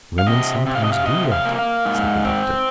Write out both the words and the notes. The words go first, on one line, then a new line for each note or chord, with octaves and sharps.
"Women sometimes do that," said the Doctor.
F5
C3 D#5
C3
F5
D#5
F5
C3 D#5
F5
A#3
F5
G#2
C4